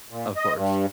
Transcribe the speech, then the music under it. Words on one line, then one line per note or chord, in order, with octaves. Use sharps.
Of course.
A#2
D#5
G2